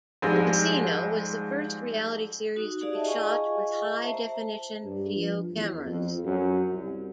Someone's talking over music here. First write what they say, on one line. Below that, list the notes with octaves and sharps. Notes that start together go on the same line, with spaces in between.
"The Casino" was the first reality series to be shot with high-definition video cameras.
F2 G#2 G3 G#3
D#4 F#4
D#4 G4 G#4 D5 F5
D#5 E5 A5
F4 G#4 D#5 F5 G#5 C#6
C5 E5 A5 A#5
G2
F3
E2
F2
F#2
C2